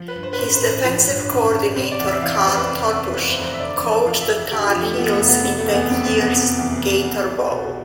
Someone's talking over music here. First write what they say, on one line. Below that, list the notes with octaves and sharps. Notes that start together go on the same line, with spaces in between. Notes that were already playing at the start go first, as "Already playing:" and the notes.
His defensive coordinator, Carl Torbush, coached the Tar Heels in that year's Gator Bowl.
Already playing: F3
B4
G2
C5
B4
A1 C5
C5
A1
C5
F3
G2
A1
A1
C3 C5
D5
E2
E5
E3 F5
D5
F1 C5
B4
C3
E2
E3 B4
C5
F1
C5
E5
D3 D5
F2
F3 F5
E5
F1
D3 G4
F4
F2
A3
F3 B3
B3
A3
F1
B3
C3 B3
A3
E2
B3
F1 C4
B3
F1
B3
C3
E2
F1
F1
C2
B2